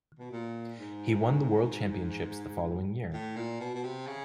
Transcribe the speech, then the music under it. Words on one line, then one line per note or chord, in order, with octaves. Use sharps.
He won the World Championships the following year.
B2
A#2
G#2
A2
A#2
B2
B2
C3
C#3